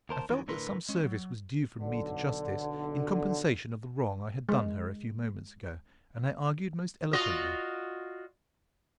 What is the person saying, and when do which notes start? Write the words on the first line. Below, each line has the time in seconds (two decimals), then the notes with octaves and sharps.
I felt that some service was due from me to Justice, in compensation of the wrong I had done her a few moments ago, and I argued most eloquently.
0.09 D#2 A#4 C5 A5
0.29 F2 D#3 E3 F#3
0.47 D2 A2 D3 A#4 B4 C6
0.89 G#3 C#4
1.03 F#3
1.79 B1 D3
4.49 G#3
7.13 F4 F#4 D#5